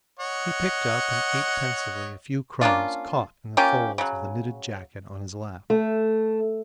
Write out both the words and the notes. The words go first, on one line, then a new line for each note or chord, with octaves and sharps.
He picked up and ate pensively a few crumbs caught in the folds of the knitted jacket on his lap.
C#5 D#5 F#5
A#3 C#4 D4 F4
A#3 C#4 F4 G4
C#3 F#3
A3